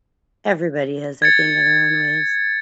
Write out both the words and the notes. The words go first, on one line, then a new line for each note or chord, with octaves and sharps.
Everybody has, I think, in their own ways.
G#6 A6 C#7